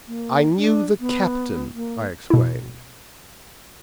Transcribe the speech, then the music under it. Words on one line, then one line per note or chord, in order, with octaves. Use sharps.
"I knew the captain," I explained.
A#3
D4
B3
A#3
B2 E4